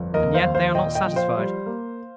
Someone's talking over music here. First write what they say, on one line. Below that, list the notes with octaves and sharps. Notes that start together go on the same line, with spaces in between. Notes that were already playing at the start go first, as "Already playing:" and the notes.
And yet they are not satisfied.
Already playing: G1 F2
D#2 A#4 D#5
C5 F5
D#2
C5 F5
A#2 D#5 G5
D#5 G5
F3
C5 F5
G3
A#3